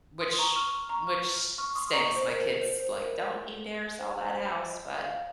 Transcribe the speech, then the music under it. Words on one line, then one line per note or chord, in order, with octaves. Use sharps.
which which stinks. My kid's like, "Don't you dare sell that house," but,
C6 D#6
A#5 C#6
C#6 F6
A#5 C#6
C#6 F6
C#6 F6
C6 D#6
A#5 C#6
D#5
C5
A#4
C5
C5
A#4
C5
C5
D#5
F5